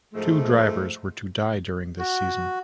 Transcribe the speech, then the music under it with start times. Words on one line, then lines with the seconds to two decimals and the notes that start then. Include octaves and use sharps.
Two drivers were to die during this season.
0.14 G#2 F3 G#3 A3
1.99 F#4